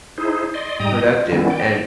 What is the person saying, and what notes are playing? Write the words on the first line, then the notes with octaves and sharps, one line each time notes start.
productive and
D#4 E4 G#4 C5
D5 D#5 C6
G#2 G3 D#5 G5 A#5 D#6
F4
D#3 G3 B3 C#4 E4
D5 G5